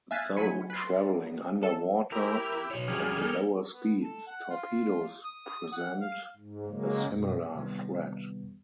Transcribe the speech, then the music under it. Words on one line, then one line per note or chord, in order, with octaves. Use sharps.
Though traveling under water and at lower speeds, torpedoes present a similar threat.
E5 F5 G#5 F#6 A6
F#3 G#5 B5 C#7
B4 C6
A4
E4 G4 A#4
B2 F#4 C#5
F3 G3 C#4 F#4 G#4 F6
A4 A#4
B3
A4
F#5
F4
D#6
F#5
F5
G#2
C#3 F#3 G#3 A#3
F#2 B2
C3 D#3 G3 B3